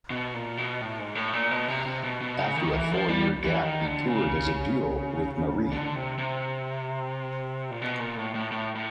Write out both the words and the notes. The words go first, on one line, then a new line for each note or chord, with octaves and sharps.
After a four-year gap he toured as a duo with Marie.
B2
A#2
B2
A2
G#2
A2
A#2
B2
C3
C3
B2
B2
C#3
D#3
E3
F3
G3
E3
D#3
D3
C#3
D3
C3
C3
A#2
B2
A#2
A2
A2
A2
A2